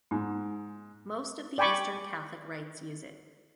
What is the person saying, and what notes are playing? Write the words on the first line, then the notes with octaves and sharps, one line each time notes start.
Most of the Eastern Catholic Rites use it.
G#2
D5 G5 G#5 B5 C#6 D6